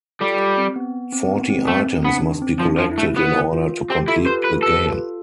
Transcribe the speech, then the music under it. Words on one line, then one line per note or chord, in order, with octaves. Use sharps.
Forty items must be collected in order to complete the game.
G3 F4 A4
G4
C4
B3
C4
B3
C4
A3 C4
C4
B3 D4
C4
F3
D4
F3
E4
A3
B3 E4
F4
C4 G4
E4 F4 A4
G4 B4 C5
F4 A4 B4
G4 A4 B4
F4 A4